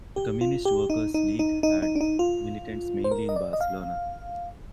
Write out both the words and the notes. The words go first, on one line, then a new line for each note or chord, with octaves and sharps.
The Communist Workers League had militants mainly in Barcelona.
G4
F4
G4
D#4
D#4
D#4
D#4
D#4
D4
D#4
F4
C5
A#4
D#5
D5
D#5
F5